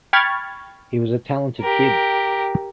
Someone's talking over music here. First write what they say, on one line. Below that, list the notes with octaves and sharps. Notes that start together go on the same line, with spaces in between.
He was a talented kid.
G5 B5 C#6 F6 G#6 A6
G4 A#4